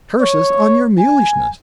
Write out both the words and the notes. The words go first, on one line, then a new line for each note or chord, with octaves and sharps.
"Curses on your mulishness!"
C#5
G#5